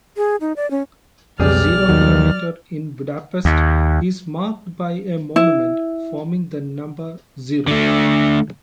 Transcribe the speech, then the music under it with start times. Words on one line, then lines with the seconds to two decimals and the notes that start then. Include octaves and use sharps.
The Zero Kilometre in Budapest is marked by a monument, forming the number "zero".
0.17 G#4
0.41 D#4
0.56 D5
0.71 C#4
1.40 B1 F2 G3 G#4 D5 F6
1.89 D#2 F#3
3.45 D#2
5.36 E4
7.68 D3 A3